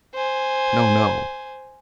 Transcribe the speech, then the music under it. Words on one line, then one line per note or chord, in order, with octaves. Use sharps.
No, no.
C5 G#5